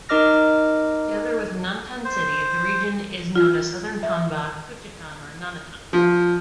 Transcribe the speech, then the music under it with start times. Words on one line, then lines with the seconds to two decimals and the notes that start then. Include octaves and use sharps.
Together with Nantan city, the region is known as Southern Tanba, Kuchitan or Nanatan.
0.09 D#4 A#4 D#5 D6 F6 A#6
2.05 C5
3.36 F4
4.03 E5
5.93 F3